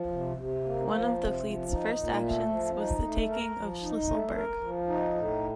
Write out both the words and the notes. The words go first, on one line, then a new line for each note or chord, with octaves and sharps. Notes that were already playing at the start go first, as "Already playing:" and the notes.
One of the fleet's first actions was the taking of Shlisselburg.
Already playing: F3
C3
C3
A#3
F3
C3
F3
D#4
A#2
A3
F3
D#4
A3
A#4
F3
D#4
A3
A#4
F3
D#4
A2